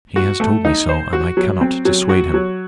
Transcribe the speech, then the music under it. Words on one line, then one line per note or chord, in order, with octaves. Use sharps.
He has told me so, and I cannot dissuade him.
F#4
A3
D#4
C5
F#4
F#3
C4
F#3
F#4
F#3